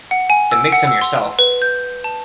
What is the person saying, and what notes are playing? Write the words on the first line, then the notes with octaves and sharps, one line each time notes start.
Then make some yourself.
F#5
G#5
E6
F#5
E6
C6
B4
G6
A5